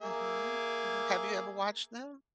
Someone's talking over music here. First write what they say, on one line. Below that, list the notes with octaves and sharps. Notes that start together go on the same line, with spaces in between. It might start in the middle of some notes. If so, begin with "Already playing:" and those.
Mhm. Mhm have you ever watched them?
A#3 G#4 E5